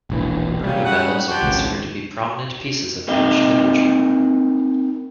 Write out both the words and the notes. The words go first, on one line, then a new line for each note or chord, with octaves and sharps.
Her novellas are considered to be prominent pieces of Finnish literature.
E1 A#1 E3
A#2 C#3 G3
C#3 F#5
F3 F#4 G4
G#1 C#2
A#3 C4 D#4 D#5 G5